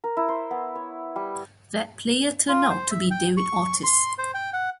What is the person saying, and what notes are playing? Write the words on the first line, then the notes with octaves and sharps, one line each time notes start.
That player turned out to be David Ortiz.
A#4
E4
C5
B3
C#5
G3
F4
C5
E5
G5
C#6
C6
C5
G5
F#5